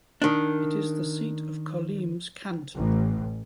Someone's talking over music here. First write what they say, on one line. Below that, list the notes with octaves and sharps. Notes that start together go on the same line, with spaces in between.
It is the seat of Colimes Canton.
D#3 D4
A1